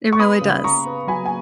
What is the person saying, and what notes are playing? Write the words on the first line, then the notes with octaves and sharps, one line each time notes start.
It really does,
C#6
B3 B5 D#6
C#3
C#3 A#5 C#6
B3
F#3 G#5 B5
G#5